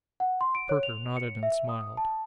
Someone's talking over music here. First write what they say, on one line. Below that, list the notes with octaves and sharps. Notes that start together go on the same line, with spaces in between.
Perker nodded and smiled.
F#5
C6
D7
C#5
F7
C#7
E5
D#6
A5